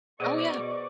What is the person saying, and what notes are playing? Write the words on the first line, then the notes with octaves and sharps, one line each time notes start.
Oh, yeah.
B2 G#4 C5 D5 D#5 C#6 D6